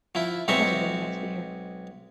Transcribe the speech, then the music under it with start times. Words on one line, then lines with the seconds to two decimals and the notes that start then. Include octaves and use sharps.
That's really nice to hear,
0.15 F3 E4
0.48 B1 G#3 C4 E5 A#5 C#6